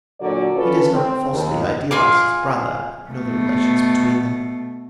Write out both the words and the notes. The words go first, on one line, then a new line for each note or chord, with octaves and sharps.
He does not falsely idealise his brother, nor the relations between them.
A#2 D3 F#3 F#4 C#5 D5
C#4 F4 A4 B4
C4
D#2
F4 G#4 D6
B2 A3